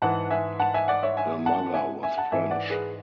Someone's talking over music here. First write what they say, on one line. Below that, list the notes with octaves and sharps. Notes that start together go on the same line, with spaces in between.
Her mother was French.
G#2 E3 F#5 A5
E5 G#5
F#5 A5
E5 G#5
D5 F#5
C#5 E5
E5 G#5
F#5 A5
E5 G#5
E5 G#5
F#5 A5
G#2 E3 E5 G#5
D5 F#5
G#4 B4